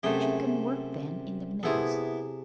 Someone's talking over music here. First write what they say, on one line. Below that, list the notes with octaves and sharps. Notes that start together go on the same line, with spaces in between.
"She can work then--in the mills."
F#2 C3 A3 G#4 G5
C3 B3 E4 G#4 A4